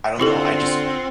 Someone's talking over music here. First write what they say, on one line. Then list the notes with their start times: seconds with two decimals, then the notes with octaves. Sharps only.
I don't know, I just
0.20 D3 C4 E4 F4 G4 A4 F#5 C6